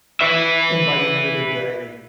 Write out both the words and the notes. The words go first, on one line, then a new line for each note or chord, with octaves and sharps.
And by the end of the day
B4 E5